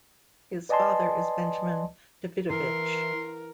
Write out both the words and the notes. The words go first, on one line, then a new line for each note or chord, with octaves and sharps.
His father is Benjamin Davidovich.
B4 D5 D#5 G#5 A5 C6
E3 A#4 C6